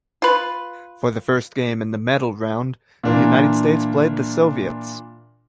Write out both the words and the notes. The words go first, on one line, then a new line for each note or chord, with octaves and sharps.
For the first game in the medal round, the United States played the Soviets.
F4 B4
A#2 E3 D4 F4 A#4